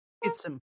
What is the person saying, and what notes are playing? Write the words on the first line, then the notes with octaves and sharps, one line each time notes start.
It's m
A#4